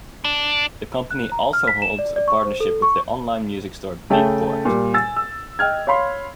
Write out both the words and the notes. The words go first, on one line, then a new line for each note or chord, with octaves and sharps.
The company also holds a partnership with the online music store Beatport.
D4
F#6
A#5
F6
B6
E7
D5
D5
C#6
C5
A4
C#6
C#3 A3 C#5 E5 G5 A5
A#2 G3
G#5 E6 A6
E6
D#5 G5 F6 G#6
C#5 F5 B5 C6